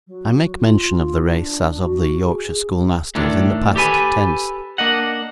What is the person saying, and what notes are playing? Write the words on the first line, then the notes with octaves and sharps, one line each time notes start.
I make mention of the race, as of the Yorkshire schoolmasters, in the past tense.
F#3
F4
D4
F#4
G#4
A2 D3 D#3 D4
G4 A4 B4 G#5
A#3 D4 D#5 F#5